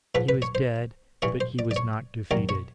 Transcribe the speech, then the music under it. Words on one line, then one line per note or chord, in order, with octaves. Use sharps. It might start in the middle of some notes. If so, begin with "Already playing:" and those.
He was dead, but he was not defeated.
G#2 F3 B4
B4
C#5
C5
G2 E3 C#5
C5
D5
D5
C#5
D#2 D#3 F#3 D5
C#5